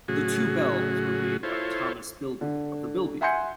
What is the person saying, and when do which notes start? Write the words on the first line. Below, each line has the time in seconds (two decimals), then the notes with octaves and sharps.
The two bells were made by Thomas Bilbie of the Bilbie family.
0.08 A2 C#3 F#3 F#4 G#4
1.43 E4 F4 A4 C5 C#5
2.41 D3
3.21 E5 F#5 G#5 C6 G6 C#7